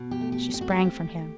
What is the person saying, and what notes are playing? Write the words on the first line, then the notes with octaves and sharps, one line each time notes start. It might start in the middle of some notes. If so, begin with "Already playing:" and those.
She sprang from him.
Already playing: B2
G4
A3
G4
C4 G4
F#4
G4
A3